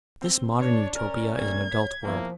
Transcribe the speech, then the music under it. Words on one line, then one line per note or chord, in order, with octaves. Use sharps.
This modern Utopia is an adult world.
C4 E6 G7
D4 C#5 D5
C#4 A#4 F6
C3 A3 A#3 G#6
C#5 B6
E1 E2 F3 A#3 E4